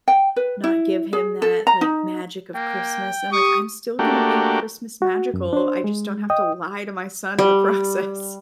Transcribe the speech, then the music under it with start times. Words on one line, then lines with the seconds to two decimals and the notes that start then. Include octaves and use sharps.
not give him that, like, magic of Christmas," and, I'm like, "I'm still gonna make Christmas magical, I just don't have to lie to my son in the process."
0.08 G5
0.36 B4
0.64 E4
1.13 G#4
1.42 A4
1.67 A#5
1.81 D#4
2.55 A#3 G5
3.32 G4 C#6 D#6
3.99 A3 A#3 D4 F#4 G4
5.02 F#4
5.34 F#2
5.53 D4 C5
5.84 G#3
6.30 D#5 G5 D#6
7.39 G3